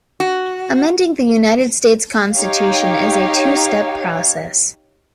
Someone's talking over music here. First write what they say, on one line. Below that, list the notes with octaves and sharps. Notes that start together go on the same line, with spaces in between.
Amending the United States Constitution is a two-step process.
F#4
D#4 G4 C#5 F5